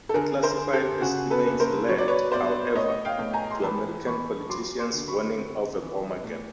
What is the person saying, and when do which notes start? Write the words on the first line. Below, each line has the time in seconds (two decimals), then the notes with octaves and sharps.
The classified estimates led, however, to American politicians warning of a "bomber gap".
0.09 A4
0.14 D3 G#4 A#4
0.43 A#4 C5
0.58 D3
0.73 G4 A4
1.01 C#3 F#4 G#4
1.30 A4 B4
1.46 A#3
1.60 A#4 C5
1.88 F#3 C#5
1.98 D5
2.08 B4 C#5
2.32 B3 C5 D5
2.75 A2 C#5 D#5
3.05 F5 G5
3.19 A2
3.33 G#5 A#5
3.51 C6
3.63 E3 A5 B5
4.06 E3 B5 C#6
4.49 F#3 C6 D6
4.79 C6 D6
4.93 D3
5.08 B5 C#6
5.38 C4
5.81 E3
6.24 A2